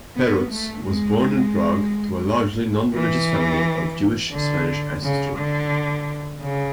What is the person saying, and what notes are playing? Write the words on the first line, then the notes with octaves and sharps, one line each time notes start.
Perutz was born in Prague to a largely non-religious family of Jewish-Spanish ancestry.
B3
A3
G#3
E3
D3
C#3
D3
C#3